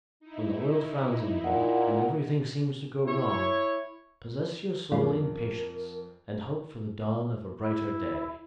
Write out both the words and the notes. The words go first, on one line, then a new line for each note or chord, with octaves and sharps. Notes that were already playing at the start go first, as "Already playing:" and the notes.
When the world frowns on you and everything seems to go wrong, possess your soul in patience and hope for the dawn of a brighter day.
D#4 E4
A#2 F#5
E4 C#5
F2 A2 G3 F4 A#4
E4